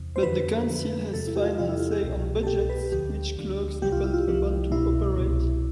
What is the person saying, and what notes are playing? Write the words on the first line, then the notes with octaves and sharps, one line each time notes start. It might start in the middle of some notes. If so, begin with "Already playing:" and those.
But the council has final say on budgets which clerks depend upon to operate.
Already playing: E2 C3
C5
F2 D3 F3 B4
F2 D3 F3
E2 C3 F3 A4
E4
G4
F4
E2 C3 F3 F4
E4
F4
G4
C2 B2
A4
C2 B2 G4
B4
D2 D3 F3 G4
D2 D3 F3
C2 C3 F3 G4
F4
E4
F4
C2 C3 F3
C2 B2 E4
C2 B2